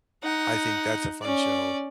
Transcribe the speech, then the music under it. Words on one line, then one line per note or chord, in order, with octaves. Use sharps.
I think that's a fun show.
D#4 F#5
C#4 D5